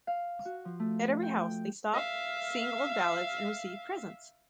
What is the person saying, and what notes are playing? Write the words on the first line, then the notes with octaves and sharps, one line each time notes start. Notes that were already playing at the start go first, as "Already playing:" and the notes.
At every house they stop, sing old ballads, and receive presents.
F5
F#4
F3
A3
G5
E5 F5